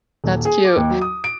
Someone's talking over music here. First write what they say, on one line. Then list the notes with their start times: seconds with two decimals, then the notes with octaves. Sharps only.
That's cute.
0.24 D#1
0.45 G#4
0.65 D6
0.76 D#2
0.90 F#3
1.01 D#6
1.24 D7